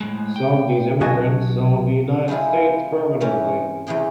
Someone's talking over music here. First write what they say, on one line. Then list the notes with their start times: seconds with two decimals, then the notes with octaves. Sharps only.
Some of these immigrants settled in the United States permanently.
0.01 A2 G#3
0.36 G5
1.00 B1 B2 F#4 D#5 G#5 A5
2.28 G#3 C4 E4 F4 G#4
3.21 E3 C4 C#4 A#4
3.87 E2 C3 E3 G#4 G5